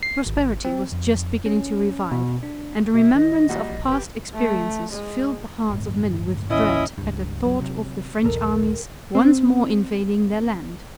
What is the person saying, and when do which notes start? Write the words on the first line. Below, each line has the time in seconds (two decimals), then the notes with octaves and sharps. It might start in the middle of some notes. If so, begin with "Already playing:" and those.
Prosperity was just beginning to revive, and a remembrance of past experiences filled the hearts of many with dread at the thought of the French armies once more invading their land.
0.03 C7
0.26 G#1
0.65 C4
0.92 F2
1.46 C#4
2.12 B2
2.43 D4
2.95 B2 E5
3.15 D#3 D#5
3.49 A#2 G3 F#4
3.71 A#1
3.88 F#1 G4 B4
4.34 A3
4.92 G#3
5.69 D1 G1 G#3
6.49 A1 D#2 A2 C#4 E4 D#5
6.98 C#2 G2
7.45 F#3
7.61 C3
8.24 A#1 D#2 A4 A#4 D#5
9.15 C4 C5